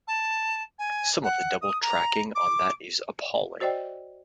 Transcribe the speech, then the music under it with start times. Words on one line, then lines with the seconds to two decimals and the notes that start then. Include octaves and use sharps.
Some of the double tracking on that is appalling.
0.07 A5
0.79 G#5
1.24 F#5
1.61 D#6
1.82 A#5
2.35 D6
3.60 F#4 C5 D5 D#5 G5